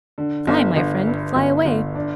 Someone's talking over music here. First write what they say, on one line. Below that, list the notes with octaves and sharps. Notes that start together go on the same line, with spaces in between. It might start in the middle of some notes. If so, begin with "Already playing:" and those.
Fly, my friend; fly away.
D3
G1
G1
G2
G1
G1
D4